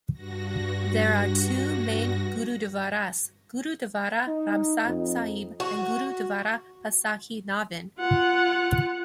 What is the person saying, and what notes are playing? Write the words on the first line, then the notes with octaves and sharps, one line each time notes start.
There are two main Gurudwaras, Gurudwara Ramsar Sahib and Gurudwara Pathsahi Nauvin.
G2 F#4 A#6
D#4
F2
F#4
F4 F#5